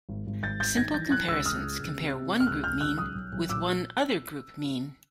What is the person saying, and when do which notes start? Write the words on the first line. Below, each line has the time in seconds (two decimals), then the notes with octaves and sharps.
Simple comparisons compare one group mean with one other group mean.
0.09 G#1
0.27 G#1
0.43 G#1 G6 A6
0.60 G#1 G6 A6
0.77 D#3 G#6 A#6
0.94 E3 G6 A6
1.11 E3 F#6 G#6
1.28 C#2 E6 F#6
1.46 C#2 D#6 F6
1.62 C#2
1.80 C#2
1.96 C3
2.13 C3
2.31 C3
2.40 F6
2.47 C#2 E6 F#6
2.64 C#2 F6 G6
2.81 C#2 E6 F#6
2.98 B1 D#6 F6
3.15 B1
3.32 B1
3.49 A#2 D6 E6